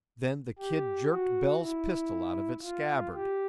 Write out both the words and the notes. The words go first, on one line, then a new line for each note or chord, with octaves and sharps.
Then the "Kid" jerked Bell's pistol out of its scabbard.
G4
F#4
E4
F4
G4